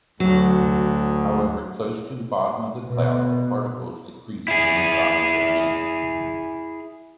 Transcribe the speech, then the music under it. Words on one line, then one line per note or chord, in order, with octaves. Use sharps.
However, close to the bottom of the cloud, the particles decreased in size again.
D2 F#3
B2
E4 G#4